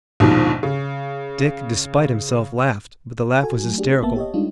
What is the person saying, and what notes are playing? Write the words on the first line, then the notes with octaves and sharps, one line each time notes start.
Dick, despite himself, laughed, but the laugh was hysterical.
A#1 D#2 G#2 B2 D#3 F3
C#3
F#4 A4 G#5
F#3 A3
D4 G4 G#4
G1 A#3 B3 E5 A5
G4 C#5 D#5
G3 G#3 D4 D#4 F4